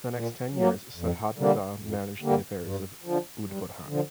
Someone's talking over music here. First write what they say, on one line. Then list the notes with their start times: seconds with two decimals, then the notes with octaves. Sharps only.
For the next ten years Shuddhananda managed the affairs of Udbodhan.
0.13 A#2
0.54 F#3 A#3
0.96 F2
1.38 D3 G3 A#3
1.79 F2
2.20 D3 G3 A#3
2.62 G2
3.03 D3 F3
3.44 G2
3.86 D3 F3